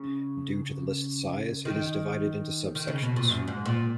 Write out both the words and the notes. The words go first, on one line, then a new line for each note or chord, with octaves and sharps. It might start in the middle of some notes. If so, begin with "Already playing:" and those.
Due to the list's size, it is divided into subsections.
Already playing: C#3
D#3
D#3
C#3
B2
A#2
F#2
G#2
A#2